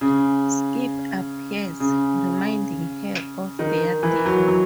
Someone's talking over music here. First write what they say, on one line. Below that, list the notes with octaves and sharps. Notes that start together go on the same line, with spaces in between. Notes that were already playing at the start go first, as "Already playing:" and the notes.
Skip appears, reminding her of their deal.
C#3
C#3
D#3
E3
F#3
F#3